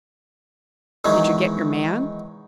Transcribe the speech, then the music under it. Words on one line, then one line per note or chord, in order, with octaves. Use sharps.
"Did you get your man?"
E2 D#3 F#3 G#3